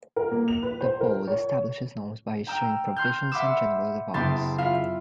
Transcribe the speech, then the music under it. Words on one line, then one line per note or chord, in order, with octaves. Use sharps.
The Board establishes norms by issuing provisions and general advice.
A#4
A#3
F7
B4
C5
A#4
C#5
G5 A#5 E6 F6
C6 F6 G6
E5 F#5 B5 C6 D6 E6
F#1 B3 E4 G4 C6 A6
E4 F4 E5 F5